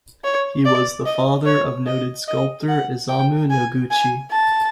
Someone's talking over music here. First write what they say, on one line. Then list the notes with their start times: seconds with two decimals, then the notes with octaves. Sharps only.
He was the father of noted sculptor Isamu Noguchi.
0.24 C#5
0.65 D5
1.06 D#5
1.46 C#5
1.87 D#5
2.28 D#5
2.68 F#5
3.09 G5
3.50 G#5
3.91 G#5
4.31 A5